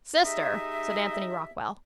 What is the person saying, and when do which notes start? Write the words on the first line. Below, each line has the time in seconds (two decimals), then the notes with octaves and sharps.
"Sister," said Anthony Rockwall.
0.24 G#3 D#4 G4 D#5 E5